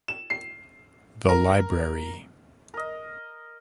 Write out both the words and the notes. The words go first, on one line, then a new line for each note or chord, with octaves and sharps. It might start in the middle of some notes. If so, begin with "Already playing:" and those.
The Library.
E7
C7
A#4
A#4 D#5